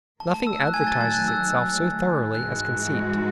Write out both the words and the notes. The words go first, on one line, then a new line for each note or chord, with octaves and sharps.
Nothing advertises itself so thoroughly as conceit.
D#3 F#3 A3 A5
A5
E6
F#6
G#5 G#6
A5 A6
G#5 G#6
F#6
E6
G#2 E3 G#3 D#4 F#4 F#6